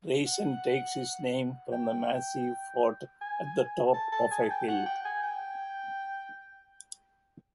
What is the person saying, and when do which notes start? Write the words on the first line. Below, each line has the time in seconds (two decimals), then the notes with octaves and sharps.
Raisen takes its name from the massive fort at the top of a hill.
0.26 F#5
1.73 G5
3.21 G#5
3.94 A5
4.12 A5
4.31 G#5
4.50 G5
4.68 F#5
4.86 G5
5.05 G#5
5.23 G5